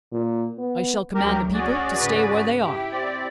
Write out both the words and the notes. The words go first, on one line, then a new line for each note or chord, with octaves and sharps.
"I shall command the people to stay where they are."
A#2
B3
D2 F#3 G4 A#4
C#4 F#4 G#4 D5
G#2 C#3 B4
E4 G4
C4 D5